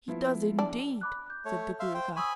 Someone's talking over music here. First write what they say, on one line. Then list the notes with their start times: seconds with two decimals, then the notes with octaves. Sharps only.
"He does indeed," said the Gruagach.
0.08 F3 B3 E4
0.59 D4
1.01 B5 D6 F#6
1.26 F#6 G6
1.45 A3 C#5
1.80 E5 F5 C6
1.94 C5 G5
2.16 G#5 B5 C#6 D#6 E6